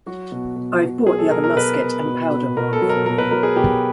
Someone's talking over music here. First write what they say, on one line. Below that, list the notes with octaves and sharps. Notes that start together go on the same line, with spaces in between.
I've brought the other musket and powder-horn for you.
F#3 F#4
B2
B2
B2
F#3 G#4
A4
B2 A#4
A#4
B2 B4
B2
B2
B2
B2 A#4
A4
F#3
A#4
B2 A#4
B4
F#3 A#4
G#4
B2 G4